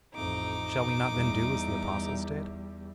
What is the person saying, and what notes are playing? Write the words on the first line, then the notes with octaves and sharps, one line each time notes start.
Shall we not then do as the apostles did?
A1 F2 D#4 D6
E2 G3